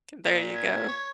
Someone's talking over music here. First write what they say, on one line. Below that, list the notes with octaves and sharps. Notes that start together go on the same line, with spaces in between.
There you go.
A#2
G#6
C#5